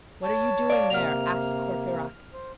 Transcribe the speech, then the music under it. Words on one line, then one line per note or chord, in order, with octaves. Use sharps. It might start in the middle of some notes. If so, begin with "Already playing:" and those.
"What are you doing there?" asked Courfeyrac.
C#5 A5
D5 F5
C3 A#3 F6 F7
C5